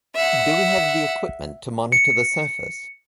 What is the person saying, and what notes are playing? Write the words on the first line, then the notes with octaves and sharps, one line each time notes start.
Do we have the equipment to monitor the surface?
E5 F#5
C#7